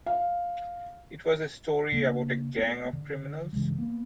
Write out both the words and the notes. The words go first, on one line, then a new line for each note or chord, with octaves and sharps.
It was a story about a gang of criminals.
F5
C#3 A#3 D4
A3 B3 C4
D3
G2 C#3 E3 G#3
A#3 B3